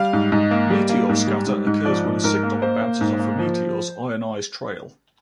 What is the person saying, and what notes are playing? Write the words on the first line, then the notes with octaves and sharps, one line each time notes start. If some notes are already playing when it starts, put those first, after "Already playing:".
Meteor scatter occurs when a signal bounces off a meteor's ionized trail.
Already playing: G3 F5
G#2
G#2 D#5
A#3
G3
A#3
G#2
G3
G#2
G#2
F3 D5
G#2
G#2 A#4
A#3
A#3 C5
A#3
G#2
A#3
F3